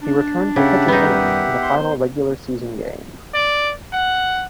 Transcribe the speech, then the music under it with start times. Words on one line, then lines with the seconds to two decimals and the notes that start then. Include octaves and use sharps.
He returned to pitch an inning in the final regular season game.
0.03 D4
0.56 C#3 G4 E5 F#5
0.88 F#2 D#3 G3 B3 D#4
1.63 C5 C6
3.34 D5
3.93 F#5